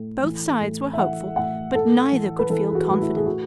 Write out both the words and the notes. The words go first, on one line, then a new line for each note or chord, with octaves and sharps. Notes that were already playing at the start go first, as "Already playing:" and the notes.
Both sides were hopeful, but neither could feel confident.
Already playing: A2
E3
A2
E5
E3 F#5
A2 F#5
A2 A4
E3
B4
E3 A4
G#4
F#4
A2
E4
G#4
A2 F#4